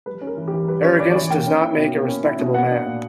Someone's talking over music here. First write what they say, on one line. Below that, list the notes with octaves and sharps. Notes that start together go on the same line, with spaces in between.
Arrogance does not make a respectable man.
G3 B4
C#4
A#4
E3
G4
E3
G3 B4
C#4 C#5
E3 D5
D5
E3 C#5
A#3 G5
C#4
E4
B2
A#3
C#4
E4
B2
A#3 F#5
D4
A#2